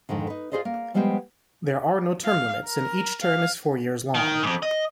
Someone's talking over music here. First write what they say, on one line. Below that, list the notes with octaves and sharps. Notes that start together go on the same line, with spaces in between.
There are no term limits, and each term is four years long.
F2 G#2 D3 D#3
D#4 B4
F4 F#4 G#4 C5 D5 D#5
A#3
F3 G3 G#3 B3 C5 G5
F5
A#4
F5
D#3
F2 G#2
D#5